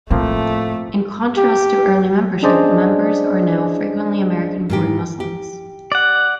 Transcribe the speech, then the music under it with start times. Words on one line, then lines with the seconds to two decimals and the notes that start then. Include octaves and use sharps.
In contrast to early membership, members are now frequently American-born Muslims.
0.11 A2 F3 A3 A#3 C4
1.37 G4
2.42 C#4 D4 G#4 C5 D5 D#5
4.70 G#2 D#3 G4
5.20 G4
5.92 D5 F#5